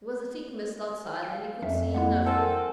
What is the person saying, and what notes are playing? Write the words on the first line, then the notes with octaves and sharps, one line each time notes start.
There was a thick mist outside and he could see nothing.
F5 G5
F2 F3 C#4 E5
G#3 A#3 E4 F#5
C4 A4 A#4 F#5 G#5